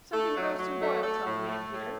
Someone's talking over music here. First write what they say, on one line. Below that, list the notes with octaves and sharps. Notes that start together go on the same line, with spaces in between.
"Something to roast and boil, tell the man, Peter."
A3 A4
F#3
F#3
A3
A3 A4
A2
A3
A2